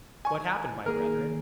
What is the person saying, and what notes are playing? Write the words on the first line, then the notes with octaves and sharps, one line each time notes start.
What happened, my brethren?
G#5 C#6
D#3 A#3 G#4 A#4